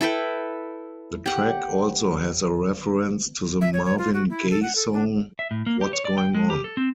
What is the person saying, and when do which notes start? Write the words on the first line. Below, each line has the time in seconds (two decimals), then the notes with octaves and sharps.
The track also has a reference to the Marvin Gaye song What's Going On.
0.01 E4 A4 B4 G5
1.26 G4 F#5
3.61 E5
3.73 C#5
3.85 C#5
3.98 F4
4.14 F#4
4.30 E4
4.51 A4
4.62 F#5
4.75 A4
4.93 D4
5.39 E5
5.51 A2
5.66 A#3
5.81 G4
5.93 C#5
6.05 D5
6.18 G5
6.34 G#3
6.50 G4
6.64 A4
6.77 C4